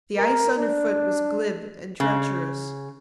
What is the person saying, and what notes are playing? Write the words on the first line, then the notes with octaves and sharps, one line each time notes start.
The ice underfoot was glib and treacherous.
A#4
D4
C#3